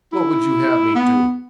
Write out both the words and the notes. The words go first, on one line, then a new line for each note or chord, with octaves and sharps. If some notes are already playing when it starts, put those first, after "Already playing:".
'What would you have me do?
E4
B3